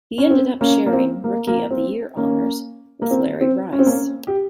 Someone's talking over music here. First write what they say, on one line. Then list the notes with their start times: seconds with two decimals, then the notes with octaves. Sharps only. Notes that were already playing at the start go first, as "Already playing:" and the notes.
He ended up sharing "Rookie of the Year" honors with Larry Rice.
0.18 C#4
0.30 C4
0.61 A#3 C#4
0.86 A#3
0.93 C4
1.24 A#3
1.47 A#3
1.71 C4
2.17 A#3 C#4
3.02 A#3
3.11 C4
3.41 C4
3.73 C#4
3.79 C4
3.86 A#3 C#4
4.27 G4